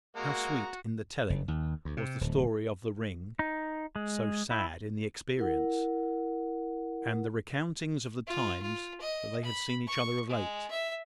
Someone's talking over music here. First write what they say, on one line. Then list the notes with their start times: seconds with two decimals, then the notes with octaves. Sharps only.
How sweet in the telling was the story of the ring, so sad in the experience! and the recountings of the times that they had seen each other of late.
0.16 G#3 A#3 F#4 A#5
1.30 F#1
1.48 D#2
1.85 D2
1.97 C3
2.21 D1
3.39 D#4
3.96 G#3
4.51 E4
5.37 E4 A#4 F#5
8.27 F4
8.62 F4
9.01 D#5
9.44 B5
9.87 C#6
10.29 G#3
10.71 E5